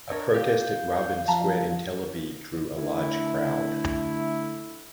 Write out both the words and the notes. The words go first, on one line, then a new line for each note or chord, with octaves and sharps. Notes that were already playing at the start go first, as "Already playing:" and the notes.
A protest at Rabin Square in Tel Aviv drew a large crowd.
D4 A#4 C#5 D#5
G4 F5 G6
F3 E5 A5 A#5
D3 A3 E4